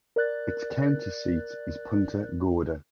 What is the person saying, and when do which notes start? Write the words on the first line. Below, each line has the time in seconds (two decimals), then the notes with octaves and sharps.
Its county seat is Punta Gorda.
0.16 A#4 D5 F#6 A6